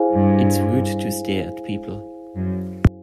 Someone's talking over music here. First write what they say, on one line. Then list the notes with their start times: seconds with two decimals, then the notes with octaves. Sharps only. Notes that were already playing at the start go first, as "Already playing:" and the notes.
It's rude to stare at people.
Already playing: E4 G#4 C5 F5 G#5
0.11 G2
2.36 F#2